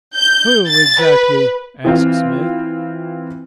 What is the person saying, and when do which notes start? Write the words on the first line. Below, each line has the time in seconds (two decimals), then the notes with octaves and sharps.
"Who, exactly?" asked Smith.
0.15 G6
0.67 A6
1.00 B4
1.85 E3 C4 F4